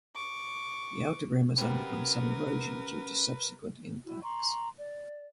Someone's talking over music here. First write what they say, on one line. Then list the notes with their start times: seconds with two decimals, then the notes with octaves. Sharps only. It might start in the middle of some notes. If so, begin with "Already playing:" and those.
The outer rim has undergone some erosion due to subsequent impacts.
0.16 C#6 D6
1.58 C3 G3 C#4 F#4 A#4 B4 F#5
4.05 E4 F#4
4.22 A#5 C6 C#6
4.78 D5